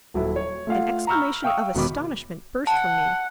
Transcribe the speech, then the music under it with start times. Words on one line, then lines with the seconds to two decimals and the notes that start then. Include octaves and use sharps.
An exclamation of astonishment burst from me.
0.14 D#1 F#3 E4 A4
0.36 C#5
0.67 A3 F4 F5 F#5
1.07 A#5 B5 C#6 E6 F6 G6
1.43 E5 F5 G5 C#6 D#6 E6
1.75 E1 B2 D#3 B5 D6
2.67 F#5 A5